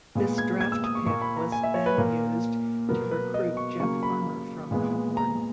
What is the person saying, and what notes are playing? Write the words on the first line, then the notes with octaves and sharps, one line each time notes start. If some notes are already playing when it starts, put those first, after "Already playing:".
This draft pick was then used to recruit Jeff Farmer from Melbourne.
A#2 G#3 B3
G#6
G#6
E6
D#6
C#6
A#2 A#3 C#6
B5
A#5
G#5
E5
C#5
B4
A#2 A#3 A#4
B2 F#3 B3 A#4
B4
D#5
C#6
C#3 F#3 A#3 C#6
B5
A#2 G#3 B3
A#5